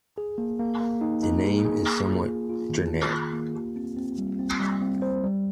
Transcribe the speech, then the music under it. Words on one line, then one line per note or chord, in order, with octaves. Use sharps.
The name is somewhat generic.
G#4
A#3
A#3
A#3
D#4
D#4
G#4
G#4
A#3
F4
A#3
F4
D#3
D#3
F4
A#3
G4
C4
C4
G3
C4
G3
C4
C5
G3